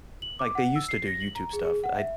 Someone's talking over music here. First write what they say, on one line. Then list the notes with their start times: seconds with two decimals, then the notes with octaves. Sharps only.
like, they used to do YouTube stuff, I'm
0.22 F#7
0.39 D6
0.55 F#5
0.76 E6
0.89 C7
1.07 A#6
1.20 F#7
1.35 A#5
1.53 G#4
1.65 G#4
1.84 F#5
1.97 E5